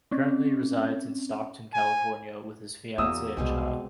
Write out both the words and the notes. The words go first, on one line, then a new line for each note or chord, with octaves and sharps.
Currently resides in Stockton, California with his fiance and child.
C4 C#4
G#5
E2 A#3 B3 F#4 D#6 E6
C2 B2 G3 G#3 C4